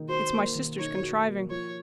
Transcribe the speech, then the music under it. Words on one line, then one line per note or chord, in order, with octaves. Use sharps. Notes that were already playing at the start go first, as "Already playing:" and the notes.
It's my sister's contriving.'
Already playing: D#3 A#3 D#4
F#4 C5
A#3
D#3
D#4 C#5
F#4
A#3
F3 C#5